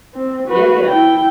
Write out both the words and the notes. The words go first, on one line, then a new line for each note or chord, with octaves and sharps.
Yeah, yeah.
C4
F#4 B4
E4 G5